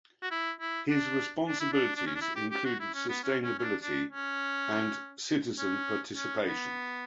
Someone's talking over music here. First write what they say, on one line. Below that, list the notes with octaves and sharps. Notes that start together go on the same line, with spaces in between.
His responsibilities included sustainability and citizen participation.
F#4
E4
E4
D4
D4
E4
D4
D4
C#4
D4
E4
G4
G4
F#4
E4
C#4
B3
C#4
C#4
C#4
D4
D4
C#4
C#4
C#4
B3